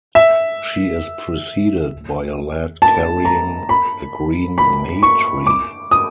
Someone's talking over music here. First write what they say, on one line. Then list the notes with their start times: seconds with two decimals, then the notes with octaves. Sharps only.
She is preceded by a lad carrying a green May-tree.
0.15 E5
2.82 A5
3.25 A#5
3.69 B5
4.58 B5
5.03 C#6
5.46 D6
5.91 D#6